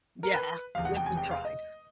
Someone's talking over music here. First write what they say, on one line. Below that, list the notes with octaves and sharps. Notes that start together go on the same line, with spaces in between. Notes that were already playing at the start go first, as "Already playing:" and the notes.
Yeah, if you tried.
A#4
B4
F1 E2 C3 F5
F#5
G5
G#5
G5
F5
D#5